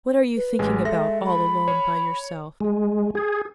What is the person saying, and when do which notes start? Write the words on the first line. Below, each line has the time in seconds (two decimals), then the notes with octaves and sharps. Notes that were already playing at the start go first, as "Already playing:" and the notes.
What are you thinking about all alone by yourself?
0.37 B4
0.59 A1 G#3 G#5
0.85 G#3 A4 E5 A#6
1.26 B5
1.68 C#5
2.60 G#3
3.15 G#4